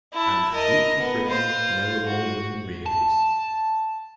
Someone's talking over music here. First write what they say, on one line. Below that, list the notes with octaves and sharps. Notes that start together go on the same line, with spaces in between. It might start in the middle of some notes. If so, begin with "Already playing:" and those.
And fruitful Britain noble Alban rears.
E4 A5
A#4 D#5
B3
F4 C5
F#4
A5